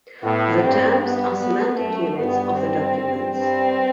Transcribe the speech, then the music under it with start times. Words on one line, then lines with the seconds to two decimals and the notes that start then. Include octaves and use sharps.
The terms are semantic units of the documents.
0.22 A2 B3
0.61 G2 C4
1.01 G2 B3
1.40 B3
1.79 F#2 A3
2.19 G2 B3
2.57 C4
2.96 G2
3.35 G2 C4